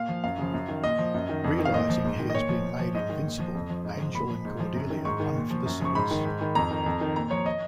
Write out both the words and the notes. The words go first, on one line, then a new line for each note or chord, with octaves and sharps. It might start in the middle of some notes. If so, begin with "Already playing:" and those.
Realising he has been made invincible, Angel and Cordelia run for the sewers.
Already playing: A#2 F5
F3
F#2 F5
C#3 F3
F#2
D#3
A#2 D#5
F3
F#2
D#3
F2
D#3
F5
A#2 D#5
F3
G#2
D#3
D#5
A#2 C#5
F3
A#2
F3
G#2 D#5
D#3
A#2
F3
F2
F3
G#2
F3
A#2 B5
F3
G#2
F3
F#2
D#3
G#2 C#6
D#3
A#2
F3
F#2
C#3 F3 C#6
G#2 B5
D#3
G#2
D#3
F2 A#5
D#3
F2
D#3
A#2 A#5
F3 C#5
D#5